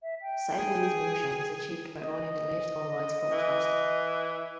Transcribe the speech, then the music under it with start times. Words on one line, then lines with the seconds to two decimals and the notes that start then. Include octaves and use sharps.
Sideways motion is achieved by running the left or right props faster.
0.03 E5
0.22 G5
0.57 G#4
2.02 D#5
3.31 E3